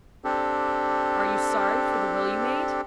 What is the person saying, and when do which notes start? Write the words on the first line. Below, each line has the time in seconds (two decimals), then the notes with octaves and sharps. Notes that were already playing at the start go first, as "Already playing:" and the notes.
"Are you sorry for the will you made?"
0.24 C4 D4 G4 A4